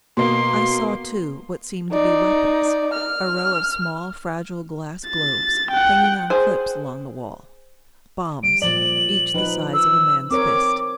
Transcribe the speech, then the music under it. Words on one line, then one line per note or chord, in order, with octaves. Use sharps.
I saw too, what seemed to be weapons: a row of small fragile glass globes, hanging on clips along the wall--bombs, each the size of a man's fist.
B2 A#3 C6
D#4 D5
F6
A6
F#5 G5
G#4 C5
G3 D7
A#2 F3 D5 F#7
F3 D#4 B4
E6
C4 A#4 C#5 D6